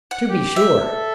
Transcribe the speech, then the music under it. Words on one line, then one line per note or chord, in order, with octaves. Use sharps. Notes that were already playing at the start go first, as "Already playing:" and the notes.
To be sure.
F#5
G4
E5
A4